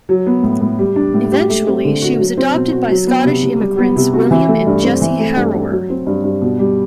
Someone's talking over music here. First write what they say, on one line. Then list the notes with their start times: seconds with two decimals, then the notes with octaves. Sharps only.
Eventually, she was adopted by Scottish immigrants William and Jessie Harrower.
0.09 F#3
0.27 B3
0.43 A2
0.61 A2
0.79 G3
0.96 D4
1.14 A2
1.32 G4
1.50 A3
1.67 C4
1.85 D3
2.02 F#4
2.19 F#3
2.38 C4
2.55 B2
2.72 F#4
2.90 F#3
3.07 B3
3.25 C3
3.43 C3
3.60 G3
3.79 B3
3.96 C3
4.13 F#4
4.31 E3
4.48 A3
4.67 G2
4.84 C4
5.01 E3
5.19 A3
5.36 G2
5.55 D4
5.71 F#3
5.90 C4
6.07 G2
6.24 G2
6.42 B2
6.59 G3